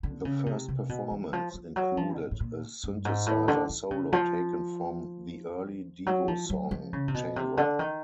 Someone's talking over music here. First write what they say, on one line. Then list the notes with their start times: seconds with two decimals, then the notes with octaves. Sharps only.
The first performance included a synthesizer solo taken from the early Devo song Chango.
0.03 D3
0.25 C#3
0.46 C3
0.68 C3
0.89 B2
1.11 E3
1.33 F3
1.54 F3
1.76 F#3
1.97 F3
2.19 B2
2.31 A2
2.40 A#2
2.84 G2
3.05 G#2
3.26 A2
3.48 D3
3.69 D#3
3.91 C#3
4.13 F3
6.06 F#3
6.28 F3
6.50 F#3
6.71 F3
6.93 C#3
7.08 C3
7.14 B2
7.36 C3
7.57 D3
7.79 D#3